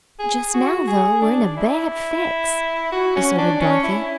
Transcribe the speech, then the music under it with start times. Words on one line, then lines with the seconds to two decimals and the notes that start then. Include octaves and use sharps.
"Just now, though, we're in a bad fix," asserted Dorothy.
0.19 G#4
0.54 F#4
0.87 G#4
1.21 D4
1.56 E4
2.92 F#4
3.16 C#4
3.38 D4
3.61 C#4
3.83 E4